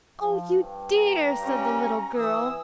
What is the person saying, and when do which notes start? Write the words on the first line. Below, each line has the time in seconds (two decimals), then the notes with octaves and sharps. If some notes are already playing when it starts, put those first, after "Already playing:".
"Oh, you dear!" said the little girl.
0.21 F3
0.56 G2
0.96 A#5
1.40 C#4 G4
2.16 E3 D#6 E6